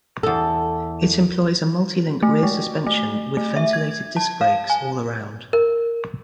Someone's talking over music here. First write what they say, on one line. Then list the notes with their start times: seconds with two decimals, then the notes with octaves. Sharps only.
It employs a multilink rear suspension with ventilated disc brakes all around.
0.23 E2 A4
2.23 A3
2.43 G#3
2.87 A3
3.37 A3
3.56 E5
3.73 G#6
4.17 A5
4.41 F5
4.70 G#5
5.53 A#4